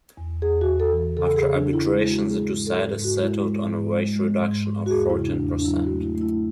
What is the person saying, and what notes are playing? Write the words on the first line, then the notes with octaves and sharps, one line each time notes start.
After arbitration the two sides settled on a wage reduction of fourteen percent.
E2
E2 G#4
F#4
E2
A4
E3
C#3 A4
A4
G#4
C#3
D4
E3
E4
G#3 E4
F#4
G#3
G#4
G#2
G#2 A4
G#2
F#4
G#3
E4
G#3
G#2
G#3
G#3
G#2
G#2
F#4
E2 G#4
E4
C#3
D4
E2
D4
D4
F#3 E4
F#4
A3
E4
A3
E4